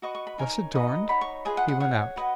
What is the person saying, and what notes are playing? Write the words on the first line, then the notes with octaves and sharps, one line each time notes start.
Thus adorned, he went out.
F#4 B4 D#5 C#6
C#6
B5
D#4 A#4 C#5 G#5
D#4 F#4 B4 D#5
D#4 F#4 C#5 B5
C#6
F4 G#4 B4 D#5 G#5
F#5
F#5
G#4 C#5 F#5
F#4 B4 D#5